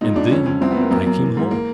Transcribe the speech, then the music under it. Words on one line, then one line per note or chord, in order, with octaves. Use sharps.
And then I came home.
C#2 D#4
C#2 D4
F2 C#4
F2 C#4
C2 C4
B3
C2 A#3
F#2 A#3
F#2
E3
G#2
A#3